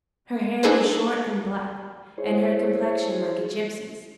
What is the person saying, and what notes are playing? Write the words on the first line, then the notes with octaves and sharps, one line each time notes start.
Her hair was short and black, and her complexion like a gypsy's.
D4 D#4 G#4 A4 B4 C5
E4 G#4 C5 C#5